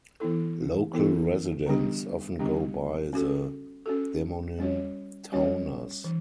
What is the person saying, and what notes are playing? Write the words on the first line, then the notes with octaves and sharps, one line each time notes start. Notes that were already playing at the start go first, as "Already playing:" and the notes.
Local residents often go by the demonym Towners.
E3 B3 E4 A4
E3 B3 E4 A4
D3 G3 B3 D4 G4
D3 G3 B3 D4 G4
C#4 F#4 A4
C#4 F#4 A4
G3 C#4 F#4 C#5
G3 C#4 F#4 C#5
E3